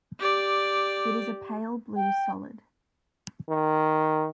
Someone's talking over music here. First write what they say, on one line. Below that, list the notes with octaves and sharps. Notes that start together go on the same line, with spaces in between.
It is a pale blue solid.
G4 D5
G5
D#3